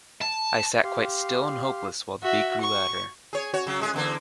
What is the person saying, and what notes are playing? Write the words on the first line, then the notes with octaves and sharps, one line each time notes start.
I sat quite still and hopeless while the beat grew louder.
A5
G4 F5 C6
F#4 E5
C#6
G#4 C#5
F#4 C#5
C#3 F#3
A2 G#3 G#4
E2 D3 A#3